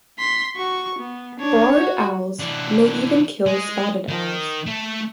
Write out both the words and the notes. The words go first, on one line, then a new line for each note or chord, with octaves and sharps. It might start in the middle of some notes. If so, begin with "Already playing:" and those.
Barred owls may even kill spotted owls.
C6 B6
F#4 C#6
B3
D4 C#5
F#4
E3 D4
G#3
D#3
A3